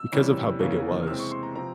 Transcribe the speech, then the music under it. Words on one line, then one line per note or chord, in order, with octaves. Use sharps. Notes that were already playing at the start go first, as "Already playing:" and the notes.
because of how big it was
Already playing: E6
C3 E3 G3 C#4
E2 C#3 E3 A#3 C#4
F6
C3 E3 G#3 C4 E6
C#6
C6
A#5
C3 F3 C4 A#5